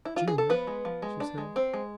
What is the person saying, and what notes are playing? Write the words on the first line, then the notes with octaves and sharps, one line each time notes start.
"Jude," she said.
E4
F4
G#4
A4
F3 B3 B4
G#3
F3
G#3
D4
G#3
C4
G#3